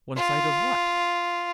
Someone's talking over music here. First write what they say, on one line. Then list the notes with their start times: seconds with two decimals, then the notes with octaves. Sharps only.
'One side of WHAT?
0.17 F4